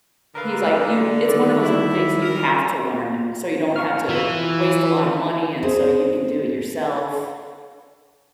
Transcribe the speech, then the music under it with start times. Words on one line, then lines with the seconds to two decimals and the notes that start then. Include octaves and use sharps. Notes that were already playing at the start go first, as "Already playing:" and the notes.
he's like, "You it's one of those things you have to learn, so you don't have to waste a lot of money and so you can do it yourself."
0.35 D3 A#4 B4 F5
1.28 D#3 G3 D5
1.62 E4
2.22 A#4
3.76 F5 C#6 F6
4.09 E3 F4
5.63 G#4 C5 D#5